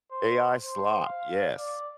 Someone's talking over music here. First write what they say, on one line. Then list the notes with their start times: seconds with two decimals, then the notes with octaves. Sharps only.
AI slop, yes.
0.12 C5
0.65 C5
1.05 F5
1.58 D5